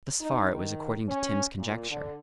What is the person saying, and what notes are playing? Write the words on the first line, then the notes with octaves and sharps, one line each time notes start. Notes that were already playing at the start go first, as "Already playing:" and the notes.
Thus far it was according to Tim's conjecture.
D#4
D#3
C#4
A#2
D3